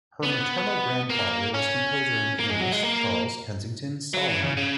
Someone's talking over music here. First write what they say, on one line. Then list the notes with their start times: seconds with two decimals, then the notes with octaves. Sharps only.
Her maternal grandfather was composer and pianist Charles Kensington Salaman.
0.23 B3
1.10 A#3
1.54 C#4
2.40 A#3
2.51 G#3
2.62 F#3
2.73 G#3
2.84 A#3
4.14 F#3
4.27 E3
4.42 C#3
4.57 C#3